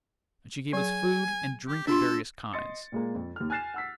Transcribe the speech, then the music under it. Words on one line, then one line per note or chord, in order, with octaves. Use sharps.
And she gave us food and drink of various kinds.
F#3 G#4 G#5
G4
D4 F4 A4 C6
D#5 C6 A6 C#7
A#2 G#3 A#3
F2
D#2 F6
G#5 F6 F#6 A6 C7 E7
F#5 E6 B6